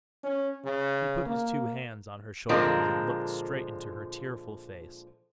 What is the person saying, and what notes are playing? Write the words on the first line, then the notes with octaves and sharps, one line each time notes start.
He put his two hands on her shoulders and looked straight into her tearful face.
C#4
C#3
A#3
A#2 D3 F3 G#3 C4 A#4